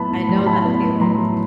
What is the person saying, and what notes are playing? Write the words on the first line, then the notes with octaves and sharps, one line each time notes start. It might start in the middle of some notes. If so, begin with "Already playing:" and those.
I know that feeling.
Already playing: A2 F#3 B3 E4 A5 B5
A2
F#3
C6
E4 A5 B5
B3
A2
F#3 A#5 C6
E4